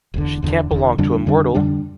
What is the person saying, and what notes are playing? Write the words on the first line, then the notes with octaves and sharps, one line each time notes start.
She can’t belong to a mortal!
E1 E2 D3
E1 E2 D3
E1 E2 D3
F2 D3 G3 D4
F2 D3 G3 D4
F2 D3 G3 D4